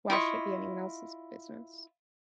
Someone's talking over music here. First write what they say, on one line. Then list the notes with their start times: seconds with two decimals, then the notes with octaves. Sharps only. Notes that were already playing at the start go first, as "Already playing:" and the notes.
why should it be anyone else's business?
0.10 E4 F4 D#5 C#6